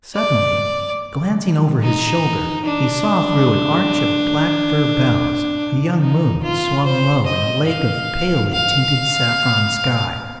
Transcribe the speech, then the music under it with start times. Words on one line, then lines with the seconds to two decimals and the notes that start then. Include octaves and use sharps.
Suddenly, glancing over his shoulder, he saw through an arch of black fir boughs a young moon swung low in a lake of palely tinted saffron sky.
0.15 D5
1.83 D#4
2.65 D4
6.00 D#4
6.43 F4
6.85 C5
7.26 D#5
7.68 F5
8.52 F5